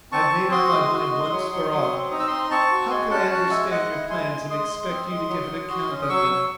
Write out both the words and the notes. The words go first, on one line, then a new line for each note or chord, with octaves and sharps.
I've made up my mind once for all: how could I understand your plans and expect you to give an account of them?
C4 A5 C#6
C4
F#4 C6 D#6
G#3
F#4
G#3
F#3
F#3
F#3
C4
D#4 D#6
E6
C4 C6 D#6
C4 A5 C#6
F#4
G#3 G#5 C6
C#4 F#5 A5
G#5
F#4 F#5 A5
G#3 E5 G#5
G#3 D#5 F#5
E4
G#3 G#5 C6
G#3
G#3 C6 D#6
G#3
C4
G#3
F#3
F#3
F#4
C#4
D#6
F#3 C#6 E6
F#3